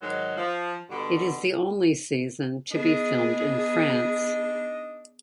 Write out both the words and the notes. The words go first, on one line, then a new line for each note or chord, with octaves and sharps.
It is the only season to be filmed in France.
G#2 D#3 F#3 G#3
F3
G2 B2 D3
B3 D4 D#4 G#4 D#5